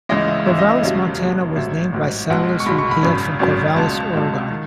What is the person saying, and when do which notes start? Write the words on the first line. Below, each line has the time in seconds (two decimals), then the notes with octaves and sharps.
Corvallis, Montana, was named by settlers who hailed from Corvallis, Oregon.
0.09 C#2 C#3 E3 G#3 D#5
0.28 E5
0.46 C#2 C#3 E3 G#3 E5
0.59 D#5
0.71 E5
0.82 E1 D#2 C#3 F#3 E5
1.19 E1 D#2 C#3 F#3
1.56 A1 G#2 F#3 E5
1.92 A1 G#2 F#3
2.30 B1 B2 G#3 F#5
2.60 C#6
2.66 B1 B2 G#3 B5
2.78 C#6
2.91 B5
3.03 G#1 F#2 C#3 F#3
3.39 G#1 F#2 C#3 F#3
3.76 C#2 B2 G#3 A5
4.13 C#2 B2 G#3
4.50 D#3